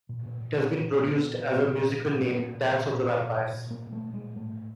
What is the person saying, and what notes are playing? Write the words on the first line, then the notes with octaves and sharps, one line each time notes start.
It has been produced as a musical named "Dance of the Vampires".
A#2
A#2
A#2
A#2
A#2
A#2
A#2 B3
A#2
A#2
A#2
A#2
A#2
A#2
A#2
A#2 A#3
A#2
A#2
A#2
A#2
A#2
A#2
A#2
A#2 A#3
A#2
A3
A#2
G#3
A#2
A2 A3
A2